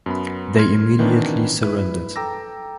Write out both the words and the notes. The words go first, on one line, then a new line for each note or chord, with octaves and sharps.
They immediately surrendered.
F#2 B3 B5
C6 F6 G#6
D#3 E3 B3 C4 D4
E4 B4
A4 G5 A#5 D6 E6 A#6